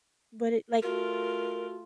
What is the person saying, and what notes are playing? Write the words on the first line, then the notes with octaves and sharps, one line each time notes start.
but it, like
A3 F4 F#4 A#4